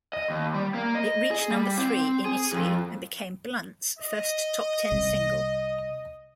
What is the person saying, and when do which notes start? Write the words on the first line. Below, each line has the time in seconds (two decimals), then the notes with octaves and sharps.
It reached number three in Italy and became Blunt's first top ten single.
0.13 D#5
0.30 D#2
0.54 G3
0.74 A#3
0.95 D#5
1.31 G#4
1.50 G3
1.78 C4
2.25 G#4
2.53 F2
3.99 D#5
4.92 C2